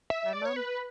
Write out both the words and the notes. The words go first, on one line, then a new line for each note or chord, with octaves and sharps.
my mom,
E5
D5
C#5
B4